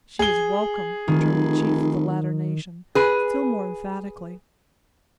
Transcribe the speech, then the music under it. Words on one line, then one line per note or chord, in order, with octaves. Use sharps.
"She is welcome," returned the chief of the latter nation, still more emphatically.
G#4 G7
F1 D#3
G#4 B4